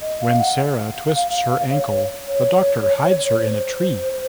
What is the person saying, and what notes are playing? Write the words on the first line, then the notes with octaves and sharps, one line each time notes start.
When Sarah twists her ankle, the Doctor hides her in a tree.
D#5
F5
F#5
F5
C#5
C#5
C5